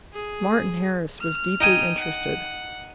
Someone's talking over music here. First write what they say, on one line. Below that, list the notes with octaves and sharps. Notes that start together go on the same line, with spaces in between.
Martin Harris was deeply interested.
G#4
F6
D#4 G5 G#5
F#5